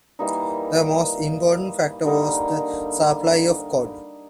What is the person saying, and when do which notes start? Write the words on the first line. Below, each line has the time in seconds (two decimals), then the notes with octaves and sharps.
The most important factor was the supply of cod.
0.19 E3 G3 A#3 D#4
2.04 D3 G3 A#3 D#4